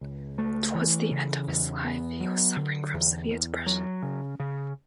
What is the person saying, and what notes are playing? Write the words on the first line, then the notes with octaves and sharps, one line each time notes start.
Towards the end of his life he was suffering from severe depression.
C#2
A3
E3
C#3
E2
B3
F#3
D3
E2
E2
F#3
C#3
C#3